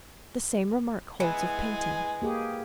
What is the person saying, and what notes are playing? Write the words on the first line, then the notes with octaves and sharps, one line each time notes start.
The same remark holds of painting.
E3 G#3 B3 G#5
A#3 G4 G#4